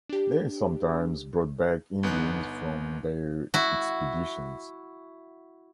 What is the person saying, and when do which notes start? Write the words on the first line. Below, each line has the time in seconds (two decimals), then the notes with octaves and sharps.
They sometimes brought back Indians from their expeditions.
0.09 D4 G4
2.03 G1 B3 D#4 F#6
3.54 E4 F#4